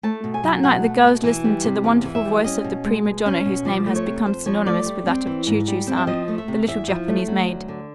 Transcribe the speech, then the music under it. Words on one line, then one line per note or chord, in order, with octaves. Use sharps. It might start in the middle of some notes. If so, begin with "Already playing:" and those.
That night the girls listened to the wonderful voice of the prima donna whose name has become synonymous with that of "Chu Chu San," the little Japanese maid.
A3 A5
B2
G#5
F#3
B2 F#5
A3
B2
E3
G3
C3
E2 F5
E3
E5
G3
C#4 D#5
B2
G#3
B2
C#4
B2
F3 D5
A3
C#5
C3
F2 C5
F3 C#5
A3 D5
G3
C4
E3
G#2
G3
C4
E5
F3 D#5
A3
E5
C3
E2 E5
F3
A3
F#3
D2
D3